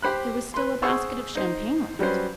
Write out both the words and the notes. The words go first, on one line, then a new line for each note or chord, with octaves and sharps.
There was still a basket of champagne left.
G4 C5 B5 F#6
B4 C6
G#4 C5 F#5 C#6 E6
D#4 C5
F#3 G3 C#4 B4 C5